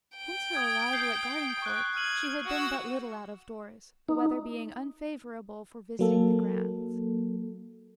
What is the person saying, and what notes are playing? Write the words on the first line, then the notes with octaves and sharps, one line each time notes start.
Since her arrival at Gardencourt she had been but little out of doors, the weather being unfavourable for visiting the grounds.
G5
D#6 G#6 D7
G6 C7
C#6 F#6
F6 G#6 D#7 F#7
F#4 E6
D#4
F#3 A#3 A4